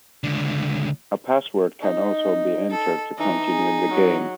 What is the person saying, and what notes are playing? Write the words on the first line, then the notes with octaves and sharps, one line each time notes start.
A password can also be entered to continue the game.
C#2 D3
D#4
A4
E3 D#4
G#4
F#3